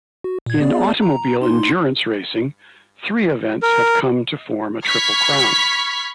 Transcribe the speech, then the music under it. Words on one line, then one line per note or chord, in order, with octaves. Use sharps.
In automobile endurance racing, three events have come to form a Triple Crown.
F#4
A#2 G#6
B3 G#4 D5
A#5
D#4 C6
A#4
B5 C#6 F6 G#6 B6